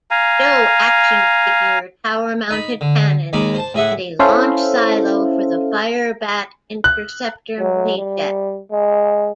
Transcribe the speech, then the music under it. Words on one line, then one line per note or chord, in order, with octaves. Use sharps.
Joe action figure, tower-mounted cannons, and a launch silo for the Firebat interceptor mini-jet.
F5 G#5 A#5
D#4 B5
D3
D#2 G#3 D#4 B5 D6
C5 A5
A2 G#4 E5 F#5
C#4 E4 A4 C5 E5 F5
F#6
F#3
G3
G#3